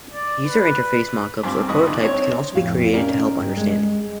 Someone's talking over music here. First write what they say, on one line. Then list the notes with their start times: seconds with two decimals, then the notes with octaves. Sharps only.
User-interface mockups or prototypes can also be created to help understanding.
0.14 D5
0.46 B4
1.43 G2 C4 F4 G#5
1.68 A1 D#3 D#5 B5 C#6 D#6
1.86 E2 D4 D#4
2.01 C4 C#5
2.55 F2 A2 F5
2.93 C#4 D#4 F4 G4 A#4 D5
3.40 G2
3.57 G#3